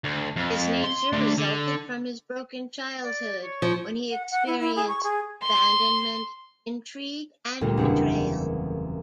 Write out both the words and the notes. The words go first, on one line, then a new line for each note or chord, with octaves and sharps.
His nature resulted from his broken childhood, when he experienced abandonment, intrigue and betrayal.
D2
F2
C6
A3 D4
D3
D5
C#5
F3
F#5
F#5
E4
E4
G#4
C#6
G#4
C6
D2 A#2 G3 A3 A#3
F#1 E2 C4 F#5